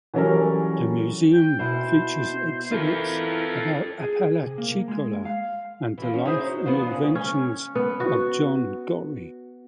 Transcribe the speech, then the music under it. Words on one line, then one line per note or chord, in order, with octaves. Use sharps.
The museum features exhibits about Apalachicola and the life and inventions of John Gorrie.
E3 F#3 G3 C#4 A4 A#4
G5
B2 E4 C5
E3 E4 F4 A4 A#4
G#4
C3
A#3
G#3
F5
E3 F3
C#4
D#4 E4 G#4 C5 D#5
F#4
E2 B3 D4 F4 C5
D2 C#3
C#4
B3
F#4